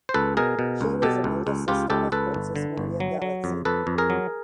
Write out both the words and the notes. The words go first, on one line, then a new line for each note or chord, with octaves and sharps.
She was an older sister of Princess Maria Galitzine.
C5
C#2 A4 B4
B2 G#4 A#4
B2
C#2
B2 G4 A4
C#2
C#2
C#2 F4 G4
C#2 G4 A4
C#2 A4 B4
G1
D3
G1
F#3
F#3
F2
F2 A4 B4
F2
G#4 A#4
F#3